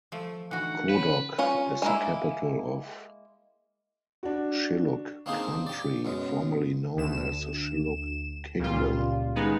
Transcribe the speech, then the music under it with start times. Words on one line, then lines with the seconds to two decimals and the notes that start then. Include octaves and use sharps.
Kodok is the capital of Shilluk country, formally known as the Shilluk Kingdom.
0.12 F3 A3
0.51 D3 E3 A3 D#4 F#4 F#5
0.89 C#4 B4
1.38 C#4 F4 C#5
1.82 G#3 A#3 E4
4.23 D4 F#4
5.26 A#3 C4 D4 D#4 G#4 C5
5.67 G4 D5
6.05 F#2 B2 G#3
6.97 D2 E7
8.59 C#2 A#2 G3 F4
9.35 D#3 G#3 B3 D#4 G#4